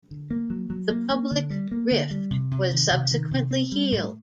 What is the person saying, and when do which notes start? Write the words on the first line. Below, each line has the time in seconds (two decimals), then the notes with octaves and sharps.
The public rift was subsequently healed.
0.11 D3
0.31 A#3
0.50 F#3
0.70 F#3
0.90 A#3
1.10 A#3
1.31 D3
1.50 G3
1.71 A#3
1.91 D3
2.11 G3
2.31 C3
2.51 C3
2.71 D#3
2.91 C3
3.11 D#3
3.31 C3
3.51 C4
3.72 G3
3.92 A2